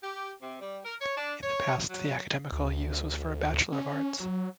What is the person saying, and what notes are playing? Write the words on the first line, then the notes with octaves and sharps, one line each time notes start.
In the past, the academical use was for a Bachelor of Arts.
G4
C3
G3
A#4
C#5
D4
C#5
F#3
D2
C#4
F#3